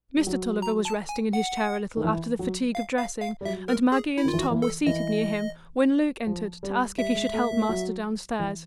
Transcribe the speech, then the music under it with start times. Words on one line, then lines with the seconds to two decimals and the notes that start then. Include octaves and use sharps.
Mr. Tulliver was resting in his chair a little after the fatigue of dressing, and Maggie and Tom were seated near him, when Luke entered to ask if he should help master downstairs.
0.17 G3
0.27 F#3
0.62 A#5
0.85 A5
1.09 G#5
1.33 F#5
1.97 D#3
2.04 E3
2.39 F#3
2.75 F5
2.98 F5
3.22 F5
3.41 G3
3.45 F#3 E5
3.68 A#4
3.92 G#4
4.18 E4
4.25 D#3 F4
4.33 E3
4.39 F#4
4.51 E3
4.62 A4
4.86 E3 D#5
6.27 F3
6.63 G3
6.98 G3 E5
7.16 G#3
7.33 A3
7.51 A#3
7.69 F#3
8.39 E3